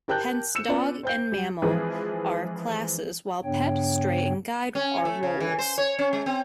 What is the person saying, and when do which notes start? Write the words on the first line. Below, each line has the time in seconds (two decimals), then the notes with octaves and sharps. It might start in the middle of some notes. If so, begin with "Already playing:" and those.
Hence, Dog and Mammal are classes, while Pet, Stray, and Guide are roles.
0.08 G4 A#4 G5 A5 F#6 G6
0.55 E6 C#7 E7
0.68 B3 C#4 F4 B4 D5
1.03 C5 G5 G6
1.32 G3
1.62 E3 F3 G#3 C4 G#4 B4
3.44 G2 C#3 B3 D4 C#5 G5
4.75 C#4
5.05 A3
5.23 C#3
5.40 E3
5.59 C5
5.78 C#5
5.99 C#4
6.13 G#3
6.26 C4